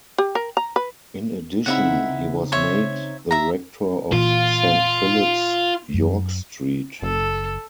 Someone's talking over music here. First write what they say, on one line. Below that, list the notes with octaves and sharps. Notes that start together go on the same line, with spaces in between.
In addition, he was made the rector of Saint Philip's, York Street.
G4
A#4
A#5
B4
C#3 C4 D#4 E4 E5 F#5
C5 C#5 E5
E5 A#5
A#2 E3 F4
F#2
F#1 A4